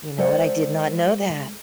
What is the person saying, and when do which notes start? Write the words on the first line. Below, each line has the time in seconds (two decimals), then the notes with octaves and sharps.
You know what? I did not know that.
0.18 G#3 A4 C5 D5 F#5